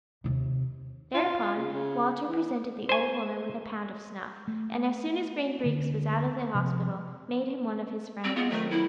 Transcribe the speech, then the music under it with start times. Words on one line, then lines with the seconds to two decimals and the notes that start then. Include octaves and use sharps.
Thereupon Walter presented the old woman with a pound of snuff, and as soon as Green Breeks was out of the hospital made him one of his friends.
0.24 D#2 C3
1.14 F4
1.56 C#3
1.73 C#3
2.28 E3
2.89 C5 G#5
4.48 A3
5.64 D2 D3 A#3
6.54 C3 F3
8.24 G3 C4
8.36 B3 F4 G#4 D#5
8.51 F2 D#3 F#3 A3
8.71 E4